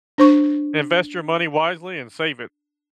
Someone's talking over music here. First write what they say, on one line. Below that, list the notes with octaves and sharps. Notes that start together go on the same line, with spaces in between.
invest your money wisely and save it.
D4 C5 C#6